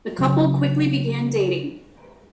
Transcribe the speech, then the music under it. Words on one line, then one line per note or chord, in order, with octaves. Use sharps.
The couple quickly began dating.
C#3 F#3